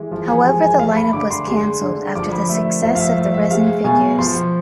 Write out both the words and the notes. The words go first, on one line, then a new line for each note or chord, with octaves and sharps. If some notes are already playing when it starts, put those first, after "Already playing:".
However the lineup was cancelled after the success of the resin figures.
Already playing: E3 G#3
F3
G#5
G#3 G#5
G#5
A3 F5
B5
D3 D6
C6
G#3 C6
D3
F3 D6
B5
A3 E5
F3 E5
F5
E5
A3 E5
E5
G#3 F5
B2 G#5
F3 C6